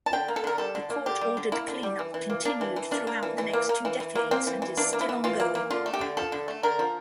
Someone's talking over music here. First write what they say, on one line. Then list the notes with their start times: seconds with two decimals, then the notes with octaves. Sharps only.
The court ordered cleanup continued throughout the next two decades and is still ongoing.
0.06 A5
0.13 D3 G5
0.28 A#3
0.36 A4
0.44 D3 A#4
0.58 G3 A4
0.75 D3
0.90 A#3
1.06 D3 G4
1.21 G3
1.37 D3
1.52 A#3 E4
1.68 D3
1.83 G3
1.99 E3
2.14 E3
2.30 A#3
2.45 A#3 D4
2.61 E3
2.76 E3
2.91 A#3 D4
3.07 A#3
3.23 E3
3.38 E3
3.53 A#3
3.69 A#3
3.85 E3
4.00 E3
4.15 A#3
4.31 A#3 C4
4.47 E3
4.62 E3
4.77 A#3 D4
4.93 A#3
5.01 E4
5.09 E3
5.24 E3 F4
5.40 A#3
5.55 A#3
5.70 D3 F4
5.86 A3
5.94 G4
6.01 D3
6.17 F3 A4
6.32 D3
6.48 A3
6.63 D3 A#4
6.79 F3